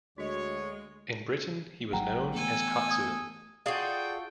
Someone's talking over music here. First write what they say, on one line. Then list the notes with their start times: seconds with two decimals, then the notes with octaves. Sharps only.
In Britain he was known as "Katsu".
0.18 D2 G#3 F#4 C#5 D#5
1.93 G#1 F#3 G#3 F#5 G5 A#5
2.33 E3 A3 B3 A4 G#5
2.89 D#6 G#6
3.66 F4 F#4 G#4 A4 D5 F5 G5